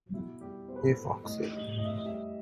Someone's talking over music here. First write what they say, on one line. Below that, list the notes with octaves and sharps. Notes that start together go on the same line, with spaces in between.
Hey Foxy!
B2 E4
G3 G4
B2 C5
B4
A4
B4
G3
A2 D#5
G3 D#5
A2 D#5
E5
D#5
G3 E5